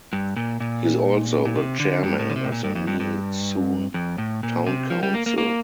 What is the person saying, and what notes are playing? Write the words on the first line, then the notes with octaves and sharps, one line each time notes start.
He is also the chairman of the Nee Soon Town Council.
G2
A#2
A#2
A#2
C3
D3
G2
A2
D3
C3
A2
A#2
G2
F2
G2
G2
F2
A2
A#2
C3
F3
G3
A#3
A#3
A#3